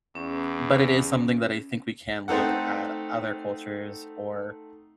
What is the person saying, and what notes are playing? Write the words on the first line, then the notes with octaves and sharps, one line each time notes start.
but it is something that I think we can look at other cultures, or
E2 C#4
A3 C4 D#4 A4 F#5